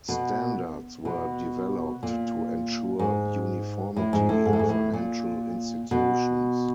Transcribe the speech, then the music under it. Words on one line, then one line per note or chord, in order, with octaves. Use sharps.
Standards were developed to ensure uniformity in financial institutions.
B2
B2
A#2
G#2
A2
G#2
A2
G#2
A2
G#2
A2
A#2
B2